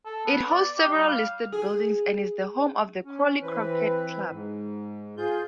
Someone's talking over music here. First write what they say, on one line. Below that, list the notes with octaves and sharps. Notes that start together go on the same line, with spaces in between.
It hosts several listed buildings and is the home of The Crawley Croquet Club.
A4
B3
D5
G4
G3
F5
G#4
C#4
E3 C4 B4
G#2
F4 G#4 G6